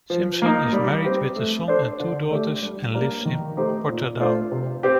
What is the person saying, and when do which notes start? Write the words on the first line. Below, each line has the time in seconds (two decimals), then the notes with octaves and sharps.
Simpson is married with a son and two daughters, and lives in Portadown.
0.10 F3
0.42 A#3 D#4
0.73 G3
1.04 C4 G4
1.36 A3
1.68 D4 A4 C5
2.00 D3
2.31 A3 D4 G4
2.62 G3
2.94 A#3 D4 G4 A#4
3.25 D#3
3.57 A3 D#4 G4 C5
3.89 A#2
4.20 A3 D4 F4 C5
4.52 C3
4.83 C4 G4